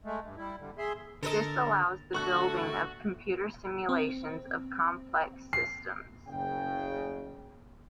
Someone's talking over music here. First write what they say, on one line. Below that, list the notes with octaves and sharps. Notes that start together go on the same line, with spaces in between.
This allows the building of computer simulations of complex systems.
G#3 A3
G2
G3 E4
D3 G3
G#4 E5 C6
D3 A4 A#4 D#5
D3 A3 F#4 A4 C#6 F#6
C4
C7
F#1 C#3 G5